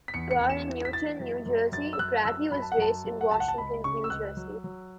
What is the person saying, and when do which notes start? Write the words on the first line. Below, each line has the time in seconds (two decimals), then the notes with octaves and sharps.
Born in Newton, New Jersey, Bradley was raised in Washington, New Jersey.
0.08 B6
0.14 E2 C#7
0.31 C#7
0.40 E2
0.50 E7
0.67 E3
0.85 B6
0.93 E3 A6
1.20 F#2
1.46 F#2
1.72 F#2 A6
1.93 E6
1.99 F#2 F#6
2.25 F#2 E6
2.51 F#2 B5
2.62 A5
2.72 F#5
2.78 F#2 A5
3.05 F#2
3.21 F#5
3.31 C#2 A5
3.40 F#5
3.48 A5
3.58 C#2 B5
3.84 C#3 C#6
4.04 E6
4.10 C#2 F#6
4.37 F#3
4.64 F#3